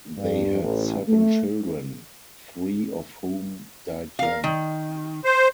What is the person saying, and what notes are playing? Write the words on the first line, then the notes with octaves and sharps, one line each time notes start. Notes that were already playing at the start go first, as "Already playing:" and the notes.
They had seven children, three of whom died young.
G2
A1
A3
A#4 F5
D#3
C5